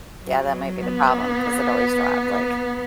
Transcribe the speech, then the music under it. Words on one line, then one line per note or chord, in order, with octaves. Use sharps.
Yeah, that might be the problem, 'cause it always dropped, like
F#3
B3